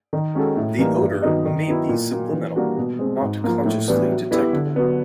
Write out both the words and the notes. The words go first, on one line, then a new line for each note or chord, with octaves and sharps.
The odor may be subliminal-not consciously detectable.
D#3
G#3 C#4 F#4 A4
A2
E3 G3 A#3 D#4
G2
D#3 F#3 B3 D#4
D#3
F#3 B3 E4
A#2
F#3 A#3
E3
G3 A#3 D4 F#4
B2
G#3 C4
G#2
F3 A#3
A2
E3 G3 B3 D4
F#3
B3 E4 G4
D3
F#3 B3